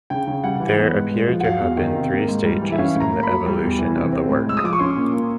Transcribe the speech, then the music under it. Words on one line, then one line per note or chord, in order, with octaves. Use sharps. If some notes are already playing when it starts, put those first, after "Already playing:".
There appear to have been three stages in the evolution of the work.
C#3 G5
C#3
G3 F#5
E3
B3
G#2
G#3
F3
F#5
F#3 F5
E2
D#3
C3
A#3
G#2
G3
E3
E5
C#4 F5
A2 A#5
A#3
B5
F#3
G3
E2
E3
C3
C4
A2
G#3 E6
D#6
F3 D6
C#6
C#4 C6
A#2
A#3